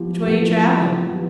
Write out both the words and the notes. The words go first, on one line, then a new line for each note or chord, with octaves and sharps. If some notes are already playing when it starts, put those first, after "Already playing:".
"Which way you traveling?"
Already playing: F3 B3 E4 G4
F3 B3 E4 G4
F3 B3 E4 G4